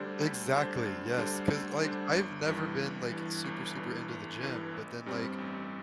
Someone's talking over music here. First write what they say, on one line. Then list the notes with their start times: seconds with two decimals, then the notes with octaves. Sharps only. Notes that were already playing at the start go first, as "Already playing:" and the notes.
Exactly. Yes. 'Cause, like, I've never been, like, super, super into the gym, but then, like,
Already playing: D2 D3 G3 D4 C5
0.20 D2
0.52 D3 G3 D4 C5
0.86 D2
1.18 D3 G3 D4 C5
1.50 D2
1.82 D3 G3 D4 C5
2.15 G1
2.47 G2 E3
2.80 G1
3.11 G2 E3
3.44 G1
3.76 G2 E3
4.09 G1
4.41 G2 E3
4.74 A1
5.06 G2 G3 C4
5.38 A1